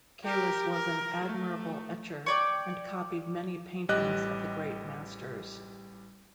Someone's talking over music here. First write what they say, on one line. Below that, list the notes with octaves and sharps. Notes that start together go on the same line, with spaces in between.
Caylus was an admirable etcher, and copied many paintings of the great masters.
G4 A#4
A#4
A3
C#5 D5 G5
A1 G3 G4 D#5 F#6